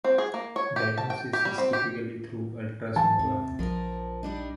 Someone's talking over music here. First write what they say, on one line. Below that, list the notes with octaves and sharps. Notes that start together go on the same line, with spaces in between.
Diagnosis is typically through ultrasonography.
C4
G#4
A#3
C#5
G4
A5
G5
G4
G3
C4
G4
E3 F#3 A5
D#2 C3
A#1 F3 A#4
G3 D4 D#4